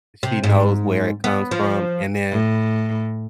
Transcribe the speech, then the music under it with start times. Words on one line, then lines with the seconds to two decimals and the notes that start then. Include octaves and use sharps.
she knows where it comes from, and then
0.23 C3
0.44 G#2
1.24 B3
1.51 F3
2.31 A2